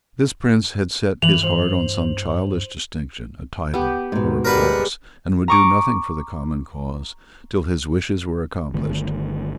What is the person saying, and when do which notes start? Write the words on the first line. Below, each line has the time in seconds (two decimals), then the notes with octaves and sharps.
This prince had set his heart on some childish distinction, a title or a cross, and would do nothing for the common cause till his wishes were accomplished.
1.22 G2 E3 F7 F#7
1.43 C5
3.74 B3 G4
4.12 G#2 B2
4.45 G3 G#3 A#4 B4 F#5
5.48 A#5 C#6 D6
8.73 G1 D3 D#3 A3